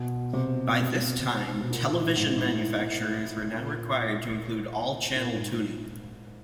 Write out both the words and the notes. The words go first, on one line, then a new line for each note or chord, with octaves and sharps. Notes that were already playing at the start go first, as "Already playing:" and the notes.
By this time, television manufacturers were now required to include all-channel tuning.
Already playing: B2
C3
B2
C3
B2
A#2
A2
G#2
A2
A#2
A#2
A2
G#2